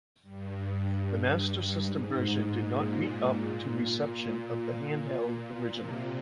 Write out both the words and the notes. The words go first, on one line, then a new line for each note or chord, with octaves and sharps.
The Master System version did not meet up to reception of the handheld original.
G2
G2
G#2
A#2
C3